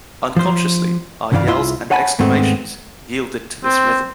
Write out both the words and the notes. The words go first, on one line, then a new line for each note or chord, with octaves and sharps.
Unconsciously, our yells and exclamations yielded to this rhythm.
F3 C5
C2 G2 C#3 E3 D5 F5
C2 E4 F4 E5 C6
C#5 F#5 G#5 A5 B5
D#2 G#2 G#3 A3 B3 C4
C4